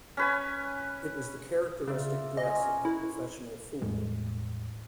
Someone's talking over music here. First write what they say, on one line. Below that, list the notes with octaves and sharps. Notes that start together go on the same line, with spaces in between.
It was the characteristic dress of the professional fool.
C#4 B4 G#5
C#3 F4 D5 E5
G#4 D#5 C6
C#4 A#5
E4 B4
E2 A2 G3 G#3